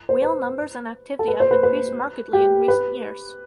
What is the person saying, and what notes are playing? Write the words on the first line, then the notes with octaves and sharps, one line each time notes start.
Whale numbers and activity have increased markedly in recent years.
C5
B4
A4
B4
C5
B4
B4
G4
B4